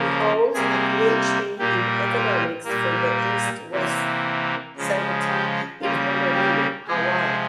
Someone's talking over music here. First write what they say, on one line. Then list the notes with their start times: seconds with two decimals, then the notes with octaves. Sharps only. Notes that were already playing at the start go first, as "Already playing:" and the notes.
He holds a Ph.D. in economics from the East-West Center in Honolulu, Hawaii.
Already playing: C#3 F3 A#3
0.53 C3 G3 A#3 G#4
1.59 A#2 G3 A#3 G4
2.12 F4
2.64 A#2 G3 A#3
3.71 C3 E3 A#3
4.76 C#3 F3 G#3
5.29 G4
5.82 C#3 G3 A#3 F4
6.34 G4
6.87 C3 F3 G#3 G#4